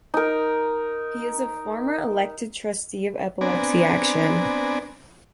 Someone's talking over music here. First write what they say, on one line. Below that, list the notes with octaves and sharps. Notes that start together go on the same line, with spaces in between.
He is a former elected Trustee of Epilepsy Action.
D#4 A#4
B3 C4 D4 D5 G#5 A#5